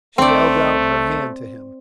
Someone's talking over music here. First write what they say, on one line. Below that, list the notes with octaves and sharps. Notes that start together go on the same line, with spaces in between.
She held out her hand to him.
C2 A3 C4 D5